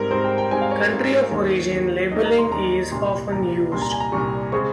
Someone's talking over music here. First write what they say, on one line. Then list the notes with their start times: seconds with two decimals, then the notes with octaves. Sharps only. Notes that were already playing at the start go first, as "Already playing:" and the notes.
Country of Origin Labeling is often used.
Already playing: G#2 G3 C4 A#4
0.11 G#2 G3 C4 C5
0.24 G5
0.38 G5
0.51 G#2 G3 C4 G#5
0.62 F5
0.71 C#5
0.81 A#4
0.91 G#2 G3 C4
1.31 D#2 D#3 G3 A#3 C#5
1.71 D#2 D#3 G3 A#3
2.11 D#2 D#3 G3 A#3 D#5
2.25 A#5
2.38 C6
2.52 D#2 D#3 G3 A#3 A#5
2.92 C2 A#2 G3 C6
3.32 C2 A#2 G3 A#5
3.72 C2 A#2 G3 C6
3.82 A#5
3.91 G#5
4.00 A#5
4.12 C2 A#2 G3 C#6
4.52 C#3 G#3 C4 C#6